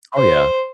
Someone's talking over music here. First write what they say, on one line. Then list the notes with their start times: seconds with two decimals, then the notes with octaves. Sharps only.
Oh yeah.
0.15 C5